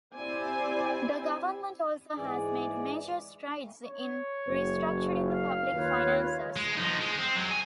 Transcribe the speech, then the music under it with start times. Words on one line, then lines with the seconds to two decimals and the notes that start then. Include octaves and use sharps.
The government also has made major strides in restructuring the public finances.
0.15 C4 E4 G4 C5 D5 G#5
2.17 G#2 E3 G#4 D5
3.85 C#5
4.48 F#1
5.30 F5
5.73 D#2 F4 B4 C#5
6.56 G#3
6.77 F3 D#4
7.01 G#3
7.18 C4
7.35 F#3 G#3
7.51 G#5